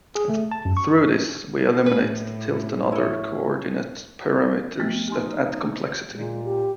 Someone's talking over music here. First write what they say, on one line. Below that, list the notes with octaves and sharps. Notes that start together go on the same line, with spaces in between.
Through this, we eliminate the tilt and other co-ordinate parameters that add complexity.
G#4
A3
A5
F#2
C#6
A2 B4
E4 C#5
F3 A3 B3
D#4 G4 G#5 C6
A#2 G#3
G4